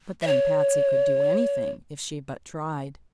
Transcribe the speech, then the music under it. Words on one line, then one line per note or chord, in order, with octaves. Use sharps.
But then, Patsy could do anything, if she but tried.
E5
C#5